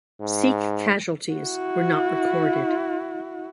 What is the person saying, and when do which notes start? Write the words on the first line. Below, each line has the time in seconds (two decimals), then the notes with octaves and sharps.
Sikh casualties were not recorded.
0.20 G#2
1.33 E4 F#4